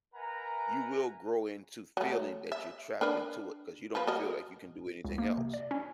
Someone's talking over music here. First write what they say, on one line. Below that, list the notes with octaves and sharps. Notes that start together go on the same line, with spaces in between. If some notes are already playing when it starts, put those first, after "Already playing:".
you will grow into feeling that you're trapped into it, 'cause you don't feel like you can do anything else,
A#4 B4 E5 F#5 G#5 A#5
F#3 A3
E5
D4 A#4 B4
F3 B4
F#4 A#4 D#5
C#2
A#3
C3
D5
C#4